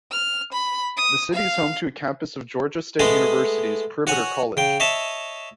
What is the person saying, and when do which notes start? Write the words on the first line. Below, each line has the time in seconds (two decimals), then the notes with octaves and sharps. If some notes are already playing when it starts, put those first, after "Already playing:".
The city is home to a campus of Georgia State Universities Perimeter College.
0.12 F6
0.53 B5
0.97 D#6
1.33 F5
2.99 G#3 A3 B3 G#4 D#5
4.07 F#4 C#5 F#5 G#5
4.57 C#3 G5
4.80 C#5 D#5 E5 A5